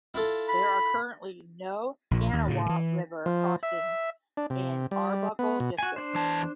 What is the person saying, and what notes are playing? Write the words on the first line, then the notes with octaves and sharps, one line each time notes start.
There are currently no Kanawha River crossings in Arbuckle District.
E4 F4 A4
B5
A#1 A#2
D#2
A2 C#3
D#3 E3
F3
E5
D4
C3
G3
B3
B2
F#4 G#5
D4 C5
E2 A5